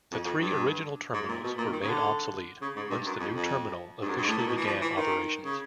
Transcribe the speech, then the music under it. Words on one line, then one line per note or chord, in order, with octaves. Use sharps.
The three original terminals were made obsolete once the new terminal officially began operations.
F2
F2
G2
G#2
A#2
B2
A#2
D#3
C#3
D3
C#3
G#2
G2
F#2
F2
F2
G2
F#2
G2
G#2
A2
A#2
B2
E3
F3
E3
D#3
C#3